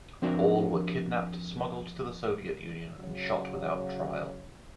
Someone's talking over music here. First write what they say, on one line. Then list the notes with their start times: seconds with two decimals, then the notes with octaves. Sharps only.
All were kidnapped, smuggled to the Soviet Union, and shot without trial.
0.22 F3 C4 D4 F#4 A#4 E5
2.99 C#3 F#3